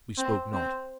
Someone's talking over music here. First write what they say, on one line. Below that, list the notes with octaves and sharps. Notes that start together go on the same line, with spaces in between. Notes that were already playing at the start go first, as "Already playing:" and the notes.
We spoke not.
C4
C4